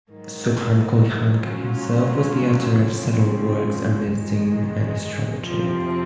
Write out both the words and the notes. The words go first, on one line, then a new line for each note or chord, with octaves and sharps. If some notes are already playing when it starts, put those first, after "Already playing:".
Subhan Quli Khan himself was the author of several works on medicine and astrology.
G#2 D#3 F#3
G#2 F#3 C#4 F4
F#2 C#3 F3 C4
G#2 D#3 G#3
F2 C3 F3 C4